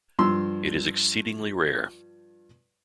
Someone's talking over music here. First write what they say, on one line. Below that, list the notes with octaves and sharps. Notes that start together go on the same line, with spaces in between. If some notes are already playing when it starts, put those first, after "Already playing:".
It is exceedingly rare.
G2 F3 C6 E6